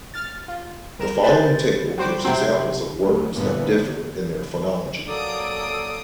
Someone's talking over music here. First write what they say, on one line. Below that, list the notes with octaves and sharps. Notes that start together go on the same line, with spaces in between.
The following table gives examples of words that differ in their phonology.
F6 A6
F4
C2 A#4 E7
B4 C5 A6
G3 F#4 C5 D6
C3 F#3 C4 G5 C6
D2 F#3
G2 A#2 D3 E3 A#3 B3
E2
F#3 A#3 A4 D5 D#6 D7